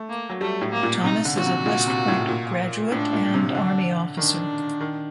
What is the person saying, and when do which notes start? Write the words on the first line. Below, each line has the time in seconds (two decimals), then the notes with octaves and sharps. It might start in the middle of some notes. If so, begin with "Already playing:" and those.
Thomas is a West Point graduate and Army officer.
Already playing: A3
0.09 A#3
0.29 F#3
0.41 G3 A3
0.61 A2
0.72 A#3
0.83 A#2
1.04 C3 D#4
1.25 D3
1.36 A#2 F#4
1.46 C3
1.66 A#2
1.87 C3
2.08 A2
2.29 A#2
2.92 A2 D4
3.13 A#2
3.34 C3
3.55 D3 D4
4.17 D#3 D4
4.81 D#3